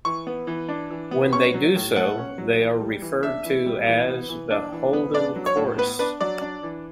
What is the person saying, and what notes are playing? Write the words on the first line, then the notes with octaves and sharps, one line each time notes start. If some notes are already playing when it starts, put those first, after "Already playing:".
When they do so, they are referred to as The Holden Chorus.
E3 C#6
B3
E3
D4
E3
B3
C#4 C#6
F#3
A2
A3 F#5
C#4
F#3
E3
G3
E3
D4 E5
E3
G3
E3
B3
E3
D4
E3
B3
D4 D5
F#3
C#5
A2
B3 B4
D4 B4
F#3 D5
D4
E3